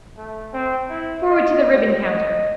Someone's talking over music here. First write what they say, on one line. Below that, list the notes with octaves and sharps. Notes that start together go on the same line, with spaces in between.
Forward to the ribbon counter.
A3
C4
E4
D#5
G3
D#5